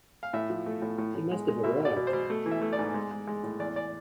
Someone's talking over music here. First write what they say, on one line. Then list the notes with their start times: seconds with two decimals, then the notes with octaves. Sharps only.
He must have arrived.
0.23 F5
0.33 A2 E5
0.50 F3
0.66 A3
0.82 A2
0.98 A2
1.15 A2
1.31 G#3
1.48 G#3
1.63 B2 E5
1.80 B2 D5
1.96 B2
2.07 C5
2.13 B2
2.30 A3
2.46 E3
2.51 E5
2.62 A3
2.73 D5
2.79 G#2
2.94 G#3
3.11 G#3
3.27 G#3
3.43 A2
3.59 E2 D5
3.76 D5